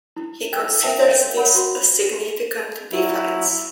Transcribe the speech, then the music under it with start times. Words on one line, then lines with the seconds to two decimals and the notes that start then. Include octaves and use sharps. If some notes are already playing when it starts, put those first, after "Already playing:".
He considers this a significant difference.
0.17 E4
0.53 G5 E6
0.83 A#4 C5 E5 G5 A5
1.08 C#5 F5
1.37 A#4 C#5 F5 F#5 B5
1.55 F#4
2.92 F#3 E4